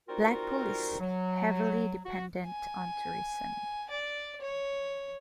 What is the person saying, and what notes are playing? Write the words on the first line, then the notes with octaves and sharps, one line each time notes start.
Blackpool is heavily dependent on tourism.
G3 C4 D#4 F4 F#4 A#4
F#3
F#4
G#5
D5
C#5